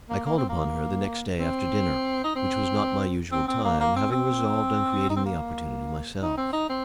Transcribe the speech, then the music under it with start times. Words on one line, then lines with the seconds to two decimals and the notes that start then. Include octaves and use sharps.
I called upon her the next day after dinner, which was not my usual time, having resolved on creating the opportunity myself.
0.09 A#3
0.26 A#3
0.37 C4
0.49 A#3
1.39 C4
2.24 D#4
2.35 C4
3.31 C4
3.48 C4
3.64 A#3
3.80 A#3
3.96 C4
4.11 C4
5.10 D#4
5.16 C4
5.25 A#3
6.21 D#4
6.37 C4
6.53 D#4
6.69 C4